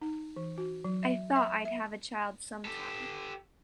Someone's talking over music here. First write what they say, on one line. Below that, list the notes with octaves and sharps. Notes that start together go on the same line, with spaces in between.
I thought I'd have a child some time.
D#4
E3
F#4
F#3
E5
E5
E5
G4 A4